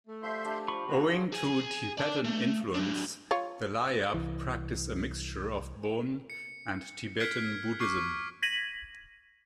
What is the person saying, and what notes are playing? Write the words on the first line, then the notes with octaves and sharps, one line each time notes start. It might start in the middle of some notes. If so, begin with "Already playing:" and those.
Owing to Tibetan influence, the Layap practice a mixture of Bon and Tibetan Buddhism.
A3
F3 G3 C5 E5 C6 G6
G3 D4 G4
F3 F4 B5 C#6
A2 C#3 E3 F3 A#3 F#4
D4 F4 F#4 G#4
G#4
D5 A5
A3
F#3 D4
F4 C#5
C2 E3
C#7
F6 F#6 G#6 B6 C7 D7
C#6 D6 F6 C7
G#6 A#6 B6 D#7 F#7